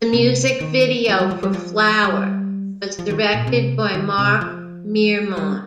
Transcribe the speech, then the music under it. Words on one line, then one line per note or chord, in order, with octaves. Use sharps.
The music video for "Flower" was directed by Mark Miremont.
C3
D#3
F3
G3
F3
G3
F3
G3
F3
D#3
A#2
C3
D#3
C3
F3
G3